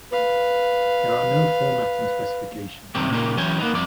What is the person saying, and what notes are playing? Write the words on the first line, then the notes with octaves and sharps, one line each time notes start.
There are no formatting specifications.
B4 F5
C2 F#2 D#3 C4 G4
A#2 C#3 A#3 D#4 G4
E3 F#3 C#4 E4 G5 G#5
A#3 B3 D#4
C2 F2 C3 D5